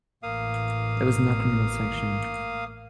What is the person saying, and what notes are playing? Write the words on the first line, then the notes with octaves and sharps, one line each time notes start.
There was no criminal sanction.
A1 A#3 F5 D#6